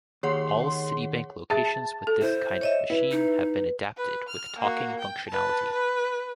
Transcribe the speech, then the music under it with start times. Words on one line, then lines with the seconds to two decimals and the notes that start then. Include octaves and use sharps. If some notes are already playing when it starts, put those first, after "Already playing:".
All Citibank locations with this kind of machine have been adapted with talking functionality.
0.23 D#2 G#4 C#5 F#5 C6
1.50 G#4 E5 A5 A6
2.07 A4
2.22 E4 C5
2.61 C#5 D#5 E5
2.90 E4 B4
3.11 D#4
3.97 B4
4.29 F6
4.59 A#3 F#4
4.99 G5
5.29 B4 A5
5.73 B4